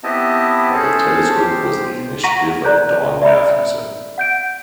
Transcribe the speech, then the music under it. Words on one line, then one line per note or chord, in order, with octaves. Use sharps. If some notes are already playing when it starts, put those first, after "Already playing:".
The telescope was the initiative of Don Mathewson.
B3 C4 E4 G4 D#5 A5
C#4 G#4 A4 C5 A5
G4 C5
F#5 A#5 C#6 A#6 B6 D#7
D5 A#5 F#6 G6
D5 E5 A#5 B5
F#5 G6 D7